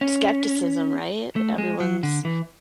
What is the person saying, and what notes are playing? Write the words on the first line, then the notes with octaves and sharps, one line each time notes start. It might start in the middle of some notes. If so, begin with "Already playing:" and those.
skepticism, right, everyone's
C#4
A3
G#3
F#3
D3
E3